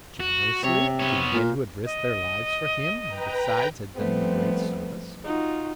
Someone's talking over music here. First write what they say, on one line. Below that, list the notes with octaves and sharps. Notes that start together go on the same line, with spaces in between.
"Generously! to men who had risked their lives for him, and besides had done him a great service?"
F#4
C3 C#5
B3 C#5
A#2
D#5
B4 G5 A#5
F3 G3 A3 B3 C4
D#4 F4 F#4